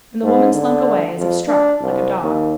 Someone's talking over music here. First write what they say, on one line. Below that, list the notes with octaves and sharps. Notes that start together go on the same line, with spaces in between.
And the woman slunk away as if struck, like a dog.
G#2
D3
F2
D4
C2
D#2